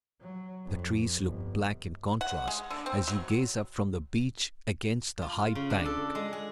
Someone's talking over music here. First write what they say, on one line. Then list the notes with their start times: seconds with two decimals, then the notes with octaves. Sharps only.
The trees look black in contrast as you gaze up from the beach against the high bank.
0.21 F#3
0.65 F2
1.24 G1
2.21 F#5
2.48 G#3
2.70 D3
2.86 C4
3.08 F#3
5.22 F4
5.55 C#3
5.70 D4
5.85 A4
6.15 G#3
6.33 G#4